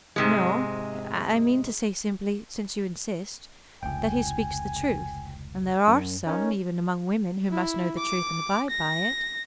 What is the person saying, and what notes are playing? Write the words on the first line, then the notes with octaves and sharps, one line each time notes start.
"No, I mean to say simply--since you insist--that he speaks the truth, and there are some--even among women--who must know the truth and abide by it."
G#2 C3 G#3
F1 C#2 G5 G#5
F#2
C#4 D#4 A#4 C#5
E4
D6
A#6